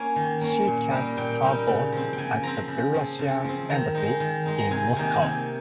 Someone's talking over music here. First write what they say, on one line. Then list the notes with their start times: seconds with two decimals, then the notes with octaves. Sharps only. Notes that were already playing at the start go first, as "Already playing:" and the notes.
She cast her vote at the Belarusian embassy in Moscow.
Already playing: A#3 C#4 G#5
0.16 D#3
0.41 A#3 C#4
0.67 A#2
0.91 G3 A#3 D#4
1.17 A#2 G5
1.42 G3 A#3 D#4
1.67 C#3
1.92 F3 C4
2.13 G5
2.18 C#3 G#5
2.43 F3 C4 A#5
2.68 C#3
2.94 F3 C4
3.19 C#3
3.44 F3 C4
3.70 D#3 A#5
3.95 G#3 D#4
4.20 D#3
4.46 G#3 D#4
4.59 A#5
4.70 C3 G#5
4.96 D#3 A#3 D#4 G#5
5.22 C3 G#5